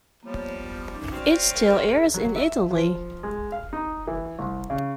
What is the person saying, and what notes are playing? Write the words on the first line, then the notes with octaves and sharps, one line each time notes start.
It still airs in Italy.
F3 G3 A#3 B3 C#5
B3
C#4 D#4 D6
C4 C#4 F#4 D5 F5
G#4 A#4
F#3
E5
F3
G#3
F5
D#4
E3
C2
C#3